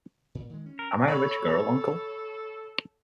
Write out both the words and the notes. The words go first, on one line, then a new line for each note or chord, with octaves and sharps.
Am I a rich girl, uncle?
A#2
D#3 G#3
C#4
A#4
A4 C#5 B5